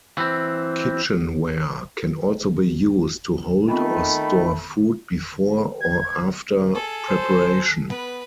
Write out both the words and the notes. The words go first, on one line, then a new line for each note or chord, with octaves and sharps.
Kitchenware can also be used to hold or store food before or after preparation.
E3 C4
D#3 A3 B3 C4 F4 B5
G#6
G#4 A4
C5
B3 B4